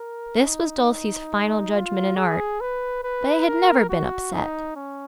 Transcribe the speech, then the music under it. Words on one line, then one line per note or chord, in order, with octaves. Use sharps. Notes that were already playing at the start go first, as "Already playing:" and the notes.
This was Dulcie's final judgment in art; but it had never been upset.
Already playing: A#4
D#4
F4
G#4
B4
B4
A#4
F#4
D#4
C#4